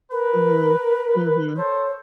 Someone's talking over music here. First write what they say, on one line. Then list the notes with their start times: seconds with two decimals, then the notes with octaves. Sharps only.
Mhm, mhm.
0.11 A#4 B4
1.56 A4 C5 C#5